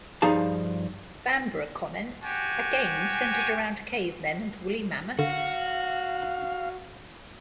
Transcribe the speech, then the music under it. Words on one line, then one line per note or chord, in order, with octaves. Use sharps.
Bambra comments: A game centered around cavemen and woolly mammoths?
G2 F3 D#4 G#4 F5 A5
F#4 G4 G#5
D3 F#4 F5